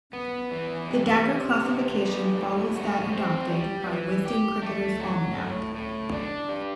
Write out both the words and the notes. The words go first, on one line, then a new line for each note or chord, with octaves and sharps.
The dagger classification follows that adopted by "Wisden Cricketers' Almanack".
B3
E3
C3
C3
B3
G3
A2
F#4
C4
G3
E3
G4
A3
F#3
A2
A2
D4
G3